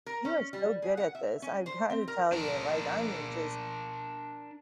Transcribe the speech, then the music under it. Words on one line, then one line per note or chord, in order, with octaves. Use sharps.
You are so good at this, I've gotta tell you, like, I'm just,
A#4
C#4
G3
G#4
F#5
E5
C#4
C5
C4
A#4
D4 A#4